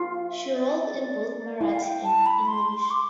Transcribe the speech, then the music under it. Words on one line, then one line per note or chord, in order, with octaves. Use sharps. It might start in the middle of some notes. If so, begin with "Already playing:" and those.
She wrote in both Marathi and English.
Already playing: F4
F5
E5
D5
E4 F5
G5
A5
B5
C6
C6
D6